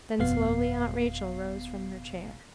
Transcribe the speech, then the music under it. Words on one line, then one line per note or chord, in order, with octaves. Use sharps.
Then slowly Aunt Rachel rose from her chair.
G1 F2 B2 B3 F5 C7